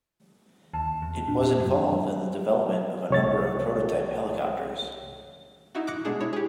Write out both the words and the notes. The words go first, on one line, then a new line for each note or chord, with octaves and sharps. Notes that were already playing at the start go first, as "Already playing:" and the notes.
It was involved in the development of a number of prototype helicopters.
D#2 A5
E2
A#2 D4
F#2
C2 C#5 A6
D#4 E4 F#4
D6 F#6 A#6 C#7
B2 G#3 D4 G#4
E4 C#5
G4 G#4